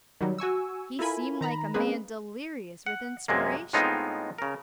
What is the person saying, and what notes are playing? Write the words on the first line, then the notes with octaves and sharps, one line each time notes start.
He seemed like a man delirious with inspiration.
D#3 F#3 G3
F#4 G#5 C#6 E6
E4 F4 A4 A#4 G#5 B5
D#3 A#5 B5
G#3 A#3 C4 C#4 G#4 B4
F#5
F#2 C3 G#3 A#3
A2 G#3 B3 C4 D#4 F4
C#3 A#4